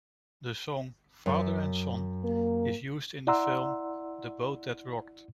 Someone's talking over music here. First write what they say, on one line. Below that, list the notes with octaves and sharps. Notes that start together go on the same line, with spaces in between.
The song "Father and Son" is used in the film "The Boat that Rocked".
F#2
A#3
E4 D5 F#5 A#5 C6 E6